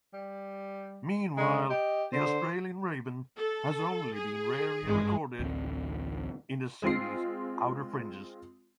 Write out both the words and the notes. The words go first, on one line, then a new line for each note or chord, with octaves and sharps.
Meanwhile, the Australian raven has only been rarely recorded in the city's outer fringes.
G3
D3 G#3
G4 D#5
D3 C5
A4
G#4
G#1 G2 G#3
A1 D2 E3 C4
G#3 C4 F4 C7